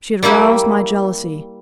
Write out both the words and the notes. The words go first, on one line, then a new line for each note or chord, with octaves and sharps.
She had roused my jealousy.
G3 A#3 E4 G4